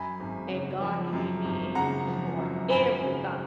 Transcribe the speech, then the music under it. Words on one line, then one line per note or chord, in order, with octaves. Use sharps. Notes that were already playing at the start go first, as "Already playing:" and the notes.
and God came in, and he destroyed everything,
Already playing: F#2 G#5 B5
G#1
C#3
F3
F#2
G#1
C#3 F#5 A#5
F3
F#2
G#1 G#5 B5
C#3